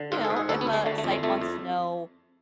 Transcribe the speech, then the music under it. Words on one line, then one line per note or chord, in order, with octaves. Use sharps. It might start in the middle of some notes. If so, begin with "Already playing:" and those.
you know, if a site wants to know,
Already playing: D3
G#2 F4
A4
G#2
G#4
D2 A4
B3
D2
G#3
D3 A3
A3
F2
G#3
F2 A3
F2